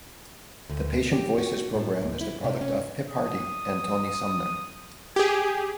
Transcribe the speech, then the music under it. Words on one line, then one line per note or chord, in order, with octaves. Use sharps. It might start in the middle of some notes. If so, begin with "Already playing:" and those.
The Patient Voices programme is the product of Pip Hardy and Tony Sumner.
D2
G4
F#4
A2
D2
E4
C3
C#4
D#6
G4 G#4 G#6